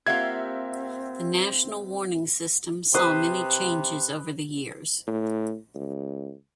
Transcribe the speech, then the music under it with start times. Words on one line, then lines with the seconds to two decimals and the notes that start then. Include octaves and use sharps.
The national warning system saw many changes over the years.
0.06 A#3 C4 F4 G4 E5 F#5 G#6
2.94 C3 B4 C5 D#6
5.07 A2
5.75 C#2